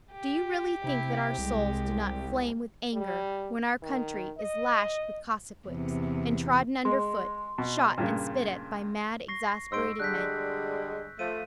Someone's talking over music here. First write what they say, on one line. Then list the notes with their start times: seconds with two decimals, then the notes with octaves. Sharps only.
Do you really think that our souls do not flame with anger when our country is lashed with Cossack-whips, and trodden under foot, shot and spit at by mad, exasperated men?
0.12 G4
0.84 C3 E4
1.38 C2 G#3
2.94 G3
3.83 D#3
4.38 D#5
5.68 E2 C3
6.85 G#3 C6
7.58 B2
7.98 G2 A#2 C#3
9.28 C#6 A#6 C7
9.72 G#2 C5 E6 D7
10.00 D3 G3 G#3 F#6 G6 B6
11.19 F3 A3 D#7